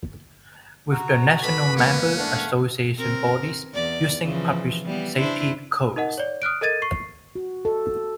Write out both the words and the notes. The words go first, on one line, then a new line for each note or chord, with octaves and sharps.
With the national member association bodies using published safety codes.
F#4 A#5
D4 A4 B4 B5
E2 G#2 A#3 C#4
A3 D4 F5 F#5
C4 A#4
E2 D5
C#3 E3 F3
E3 G3 B3
D4 E4 C5
D#4 A#4 D#5 F#5
C#5 D5
D#6 F6 F#6 D7
A4 A#4 D#5 G#6 A6 D#7
C#6 C7
F#4
A4